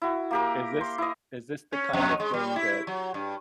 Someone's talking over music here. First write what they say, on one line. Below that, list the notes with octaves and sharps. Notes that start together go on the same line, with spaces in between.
Is this is this the kind of thing that
E4 F#4
A#3 G4 A#4
C6
E4 D#5
C#4
F2
G#3
G3
E4
F#3
G2